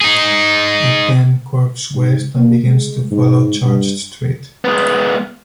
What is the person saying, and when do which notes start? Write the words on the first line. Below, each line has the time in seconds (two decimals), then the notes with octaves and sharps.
It then curves west and begins to follow Church Street.
0.01 D#4 G#4
1.94 G#2
2.36 A#3
2.65 G#3
3.11 G#2
3.64 G2
4.65 G#3 B3